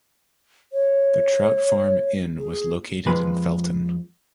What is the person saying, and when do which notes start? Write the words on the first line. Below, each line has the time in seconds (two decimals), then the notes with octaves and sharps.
The Trout Farm Inn was located in Felton.
0.73 C#5
2.39 G#4
3.07 F2 F3 G#3 B4 B5